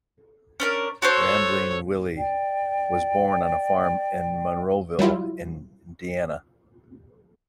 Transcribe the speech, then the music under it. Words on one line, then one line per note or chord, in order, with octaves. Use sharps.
Rambling Willie was born on a farm in Monroeville, Indiana.
C#4 D4 A#4
F#4 A4 C5 C#5
D5 G5
F#3 G3 E4 F4